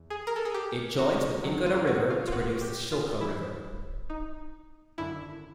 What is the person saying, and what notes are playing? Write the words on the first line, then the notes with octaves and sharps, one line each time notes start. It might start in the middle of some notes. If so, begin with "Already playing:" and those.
It joins with Ingoda River to produce the Shilka River.
Already playing: E2
G#4
A#4
A4
G#4
G4
F#4
C2 C3 D#3 F#3
F4
F#4
F4
F4
F#4
G4
F4
G#1 G#2 E3 E4
D#4
G#1 F#2 D3 E4